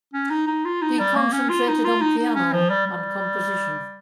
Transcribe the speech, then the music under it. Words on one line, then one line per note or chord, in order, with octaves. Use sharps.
He concentrated on piano and composition.
C#4
D#4
D#4
F4
D#4
G3
A#3
C#4
F4
D#4
F4
D#4
D#4
C#4
F3
G3
G3